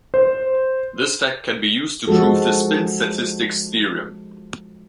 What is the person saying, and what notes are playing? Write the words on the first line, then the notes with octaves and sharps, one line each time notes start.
This fact can be used to prove the spin-statistics theorem.
C5
F3 G#3 F#4 A4